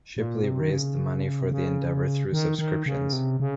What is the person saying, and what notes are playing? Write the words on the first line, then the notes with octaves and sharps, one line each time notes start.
Shipley raised the money for the endeavour through subscriptions.
A#2
C3
D#3
C#3
C3
C#3
D#3
D#3
C#3
C3
C#3